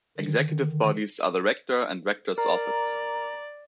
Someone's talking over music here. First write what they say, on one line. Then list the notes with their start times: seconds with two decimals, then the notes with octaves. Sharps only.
Executive bodies are the Rector and Rector's office.
0.17 D3 D#3
2.38 A#4 D5 A#5